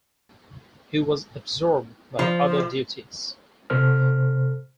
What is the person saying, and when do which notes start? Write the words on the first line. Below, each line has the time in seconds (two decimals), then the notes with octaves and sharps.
He was absorbed by other duties.
2.19 F3
3.70 C3 A4 C5 F6